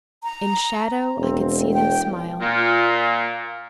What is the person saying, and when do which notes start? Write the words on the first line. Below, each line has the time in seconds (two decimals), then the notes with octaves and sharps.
In shadow, I could see them smile.
0.23 A#5
1.18 E1 C4
1.73 G5
2.41 A#2